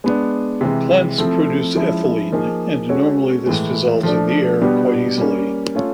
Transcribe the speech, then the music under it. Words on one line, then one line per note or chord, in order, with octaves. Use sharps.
Plants produce ethylene, and normally this dissolves in the air quite easily.
G#3 B3 D4
C3 E3 G#3
F3 A3 C4 E4 A4
F3 G#3 C#4 E4
F3 A#3 D#4 G#4
G#3 C#4 F#4 A4 C#5
A2 E3 G#3
F3 A3 D4
B2 G3 B3 D4 G4
G3 A#3 C#4
A3 C#4 F4 A4 C#5